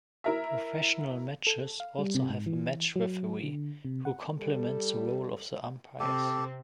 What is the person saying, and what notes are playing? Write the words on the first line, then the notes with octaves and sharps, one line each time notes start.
Professional matches also have a match referee, who complements the role of the umpires.
E4 A#4 E5
A4
F5
G3
C3
G#2
E3
F#3
D3
C3
F#5
G3 A4
C3 C4 G4 A4